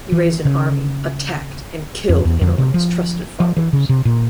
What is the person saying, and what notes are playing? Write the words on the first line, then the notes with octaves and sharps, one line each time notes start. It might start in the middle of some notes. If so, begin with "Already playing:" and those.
He raised an army, attacked, and killed Inel and his trusted followers.
E3
C#3
F2
E2
F2
C3
F3
F3
E3
C#3
C3
A#2